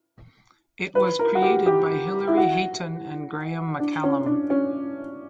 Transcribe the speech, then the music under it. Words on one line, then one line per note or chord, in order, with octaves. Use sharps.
It was created by Hilary Hayton and Graham McCallum.
B4
A#4
F#4
G4
G4
E4
F#4
D4
C#4
D4
C#4